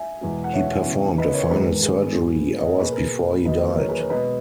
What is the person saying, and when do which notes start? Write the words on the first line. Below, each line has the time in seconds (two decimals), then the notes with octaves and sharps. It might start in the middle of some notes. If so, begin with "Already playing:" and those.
He performed a final surgery hours before he died.
Already playing: E5 G#5
0.21 E2 B2 G#3
0.44 F#5
0.53 C#5 E5
0.85 C#3 E3 B3
1.18 B4 D#5
1.34 A#4 C#5
1.50 G#2 D#3 G#3 G#4 B4
1.61 G#4 B4
1.72 A#4
1.83 G#4 B4
2.15 G#2 F#3 B3
2.59 D#5
2.69 C#5
2.80 B2 A#3 G#4 B4
2.91 A#4
3.45 E2 D#3 F#3 A#3 B4 D#5
3.78 A#4 C#5
3.88 G#4 B4
3.99 A#4 C#5
4.10 B2 G#3 B3 B4 D#5